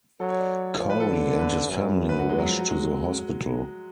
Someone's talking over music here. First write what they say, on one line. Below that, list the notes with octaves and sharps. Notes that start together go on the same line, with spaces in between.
Cory and his family rush to the hospital.
F#3 A4
C#5
D5
F3 C#5
B4
A4
D3
B4
F#2
B4
F#4
G#3
F#3
F3
F#3
G#3